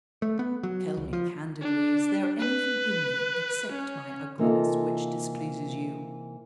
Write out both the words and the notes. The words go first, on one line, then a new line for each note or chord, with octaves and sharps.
Tell me candidly, is there anything in me, except my ugliness, which displeases you?
A3
B3
F#3
C#2
F3
D4
B4
C#4
C3 E3 A#3 D#4 F4 A4